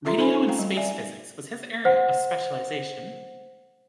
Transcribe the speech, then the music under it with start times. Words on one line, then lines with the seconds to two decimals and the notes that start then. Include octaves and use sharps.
Radio and Space Physics was his area of specialization.
0.05 C#4 F4 A4 E5 A#5 C6
0.17 D#4 A4 C5 E5 G#5 B5
0.34 D#4
0.47 A3 C4 F5 G5 A#5
0.59 G3
0.76 D5 E5 G#5
1.85 C5 F#5